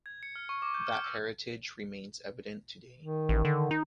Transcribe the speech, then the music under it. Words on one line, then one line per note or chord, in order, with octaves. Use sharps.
That heritage remains evident today.
G#6
C#7
F6
C#6
D6
G6
F6
E6
D#3
A1
D3
D#4